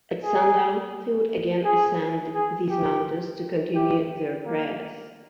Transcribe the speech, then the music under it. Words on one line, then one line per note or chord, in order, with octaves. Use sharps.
At sundown, they would again ascend these mountain to continue their prayers.
G#4
G#4
G#4
G4
G4
A#3